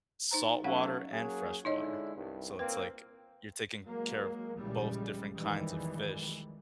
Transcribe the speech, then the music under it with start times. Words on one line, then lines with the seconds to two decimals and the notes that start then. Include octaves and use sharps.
Saltwater and freshwater. So it's, like, you're taking care of both different kinds of fish,
0.31 D#4 C5 A#5
0.64 F#3 A3 C#4 F5 F#5
1.12 F#3 A#3 G#4
1.65 D3 G#3 D#4 E4 C#5 D#5
2.15 C2 G2
2.59 A#2 A#3 C4 B4
3.83 F#3 G#3 A#3
4.59 A#1 A#2 C#3 E3 G3 G#3
5.38 B1 F2 D#3 E3 G3 G#3